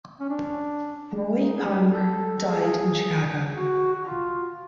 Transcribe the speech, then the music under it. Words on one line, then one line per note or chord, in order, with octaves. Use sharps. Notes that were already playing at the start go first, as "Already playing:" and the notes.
Roy Palmer died in Chicago.
C#4
D4
D#4
G#4
G4
A4
G#4
F#4
F#4
F4